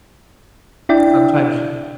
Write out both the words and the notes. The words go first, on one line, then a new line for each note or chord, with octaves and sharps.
sometimes, you
D4 E4 D5 G5